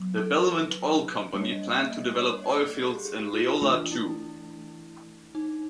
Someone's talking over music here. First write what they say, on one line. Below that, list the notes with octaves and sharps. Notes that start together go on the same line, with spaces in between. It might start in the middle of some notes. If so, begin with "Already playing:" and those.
The Belmont Oil Company planned to develop oil fields in Leola, too.
Already playing: F#3 B3
A4
A#4
B4
G3 A#3 D4 C#5
D#5
E5
D#5
C#5
C#5
D#5
D5
A4
G#4
G4
G#4
G4
F4
F4
E3 A3 D4 F4
E4
D#4